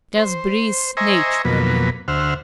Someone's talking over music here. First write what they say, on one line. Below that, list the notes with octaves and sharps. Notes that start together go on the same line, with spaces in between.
"Just breathe naturally."
C5
C5 D#5 E5 G#5 A#5 C#6
F2 B2 F#3 A#3 B4
D2 C5 E5 F#5 F6